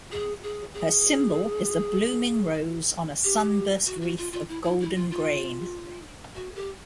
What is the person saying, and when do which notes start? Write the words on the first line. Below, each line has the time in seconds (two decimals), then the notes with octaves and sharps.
Her symbol is a blooming rose on a sunburst wreath of golden grain.
0.12 G#4
0.43 G#4
0.74 G#4
3.24 G4
3.86 F#4
4.01 F#4
4.18 F4
4.33 F4
4.49 E4
4.64 E4
4.80 E4
4.95 F4
5.11 F4
6.35 F#4
6.55 G4